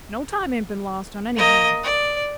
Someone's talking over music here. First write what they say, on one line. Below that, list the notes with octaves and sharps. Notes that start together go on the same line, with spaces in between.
No time ain't been lost, on any hand.
A#3 D#5
D5